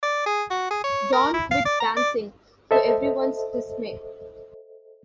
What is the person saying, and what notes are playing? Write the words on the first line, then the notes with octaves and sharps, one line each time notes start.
John quits dancing, to everyone's dismay.
D5
G#4
F#4
G#4
C#5
A#4
E4
F5
D5
A#5
D5
A4 C5 D#5 E5 A5